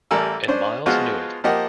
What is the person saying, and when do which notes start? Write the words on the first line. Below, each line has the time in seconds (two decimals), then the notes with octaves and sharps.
And Miles knew it.
0.11 A1 G3 A4 A#4 G#5 E6
0.48 C#4 D4 C5
0.86 F3 G#3 B3 F4 F#4
1.44 F3 A#3 G4 D#5 F#5